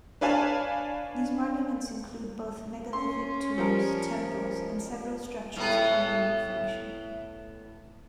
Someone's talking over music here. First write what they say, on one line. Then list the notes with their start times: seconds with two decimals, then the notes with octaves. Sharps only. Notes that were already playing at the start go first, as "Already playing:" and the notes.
These monuments include both megalithic tombs, temples and several structures of unknown function.
0.21 D4 B4 C#5 F5 G#5 A5
2.93 C#4 C6
3.58 F3 G3 A#4
5.56 A2 B3 B4